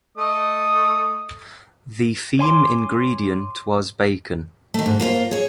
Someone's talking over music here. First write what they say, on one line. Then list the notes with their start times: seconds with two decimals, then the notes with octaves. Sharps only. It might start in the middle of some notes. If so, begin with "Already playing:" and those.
The theme ingredient was bacon.
0.18 A3 D#5 D#6
2.39 C#5 G#5 C6 D6
4.74 D#3 A3
4.86 G#2
5.00 A#3 F4 B4 C5
5.31 G#4 C#5